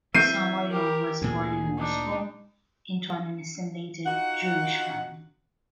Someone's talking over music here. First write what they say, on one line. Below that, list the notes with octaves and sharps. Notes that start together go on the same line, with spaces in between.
Samoylov was born in Moscow into an assimilated Jewish family.
E3 C4 E5 G6 C7 D#7
G4 A#4
D2 A#2 G#4
D4 D#4
D#4 F4 F#4 F#5